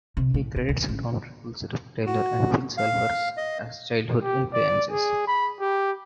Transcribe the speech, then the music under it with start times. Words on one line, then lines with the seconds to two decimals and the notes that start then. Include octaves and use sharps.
He credits Don Rickles, Rip Taylor, and Phil Silvers as childhood influences.
0.17 C3
0.34 A2
0.56 C3
0.69 D2
0.89 A1
2.06 F#4
2.77 F5
3.37 D#5
4.23 G4
4.53 D5
4.91 G#4
5.27 B5
5.60 G4